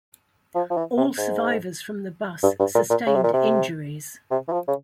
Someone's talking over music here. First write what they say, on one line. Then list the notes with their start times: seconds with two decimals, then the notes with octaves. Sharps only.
All survivors from the bus sustained injuries.
0.55 F3
0.70 F3
0.77 E3
0.97 C3
1.18 G#2
2.43 G2
2.60 G2
2.75 A#2
2.90 A#2
3.07 C#3
3.15 C3
3.24 A#2
3.33 C3
4.31 C3
4.48 E3
4.52 F3
4.68 C#3